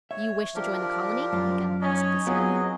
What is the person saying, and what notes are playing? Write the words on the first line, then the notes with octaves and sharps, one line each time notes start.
"You wish to join the colony?" again asked the sailor.
C#5 E5
F3 D4 G4 A#4
F#2 F4
C#4 D#4 D#5
F#3 B3 C4 F4 G#4